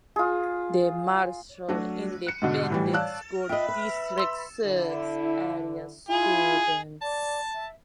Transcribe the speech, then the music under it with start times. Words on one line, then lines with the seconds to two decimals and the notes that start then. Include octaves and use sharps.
The Marshall Independent School District serves area students.
0.16 F4 G#4
1.69 F#3 A3 D4 F#4
2.27 F#6 C#7
2.42 G#2 B2 D3
2.70 A2 E3 G3
2.93 C#5 D5 F5 A5 E6 F#6
3.49 F4 D#5 E5 G5 B5
3.68 B4
4.18 C6 E6
4.66 D3 E4
6.09 E4 F4 G#4
7.01 D5 A5
7.54 E5